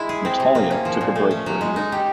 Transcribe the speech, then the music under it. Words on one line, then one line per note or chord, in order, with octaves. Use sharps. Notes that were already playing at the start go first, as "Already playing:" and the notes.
Natalia took a break for a year.
Already playing: G#3 E4
G#4
C4
C3
A#3
C#4
F3
A#2
A3
C#4
F#3
G#3
D#4
G4